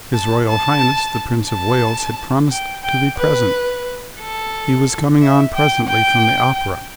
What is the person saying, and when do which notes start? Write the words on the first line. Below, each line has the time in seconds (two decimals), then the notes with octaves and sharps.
His Royal Highness the Prince of Wales had promised to be present. He was coming on presently from the opera.
0.13 A5
0.48 A5
1.48 A5
2.51 G5
2.83 G5
3.18 B4
4.20 A4
5.20 E5
5.54 G5
5.88 G5